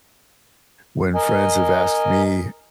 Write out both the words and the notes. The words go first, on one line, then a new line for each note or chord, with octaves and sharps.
when friends have asked me,
A#4 D#5 G#5